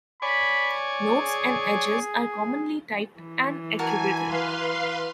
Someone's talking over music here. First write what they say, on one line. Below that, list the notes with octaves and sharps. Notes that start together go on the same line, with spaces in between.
Nodes and edges are commonly typed and attributed.
C#5 D5 G#5 B5
G#4
E3
F#4 A#4 G#5 A5
B4 F5 C6